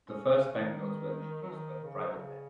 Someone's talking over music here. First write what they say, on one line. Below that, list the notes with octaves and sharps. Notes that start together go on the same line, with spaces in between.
The first banknotes were introduced by the private banks.
C#4
D#3
F#3
D#3
C#3
F#3
C#3